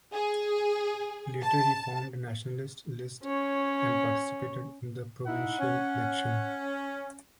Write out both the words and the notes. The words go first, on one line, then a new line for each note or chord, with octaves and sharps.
Later he formed Nationalist List and participated in the provincial election.
G#4
A5
C#4 C#5
D#4 E4 F#5
C#4